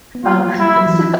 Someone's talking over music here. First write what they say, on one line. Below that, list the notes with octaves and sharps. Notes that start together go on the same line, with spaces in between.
Um, so
B3
A#3 F4
G3 E4
F#3
E3
F3